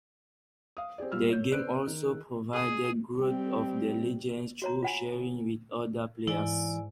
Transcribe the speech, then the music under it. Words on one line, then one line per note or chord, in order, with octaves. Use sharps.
The game also provided growth of the Legendz through sharing with other players.
F5 D#6
C4 G4 G#4 D5
E1 A#2 G3 F4 E6 F6
C#5 G6
B3 C5 D5 F#6 D7
D#3
G#4
G3 C4
F#4 C#5 A#5
F4 F#5 G#5
G#2 E3 E4 D5 G#5